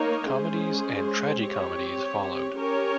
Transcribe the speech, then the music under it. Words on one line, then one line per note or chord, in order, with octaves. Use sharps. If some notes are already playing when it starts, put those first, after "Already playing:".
Comedies and tragi-comedies followed.
Already playing: A#3 D#4 A#4 C#5
G#3 C#4 G#4 C5
C4 G4 C#5
C#4 G4 A#4 C#5